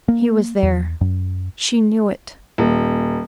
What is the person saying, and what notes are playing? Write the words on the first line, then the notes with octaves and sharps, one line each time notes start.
He was there, she knew it.
A#3
E2
F#2
D#1